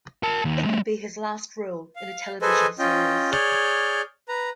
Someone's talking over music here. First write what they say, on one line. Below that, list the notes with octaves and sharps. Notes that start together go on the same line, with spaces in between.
It would be his last role in a television series.
A#4 A5
D#2
G3 A3
F5
G#4 A4 B4 C5 D#5 G#5
C#4 F4 D#5 G5
G#4 C#5 D5 F6 G6
B4 A#5